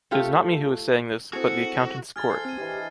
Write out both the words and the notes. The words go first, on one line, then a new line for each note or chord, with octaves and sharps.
It is not me who is saying this, but the accountants’ Court.
A3 F4 G4 A4
C4 E4 F#4 G#4 A4
G#4 A4 G#5 F6 G#6 A6
A4 C5 F5 C7
C4 F6 D#7
E3 D4 G4 D#5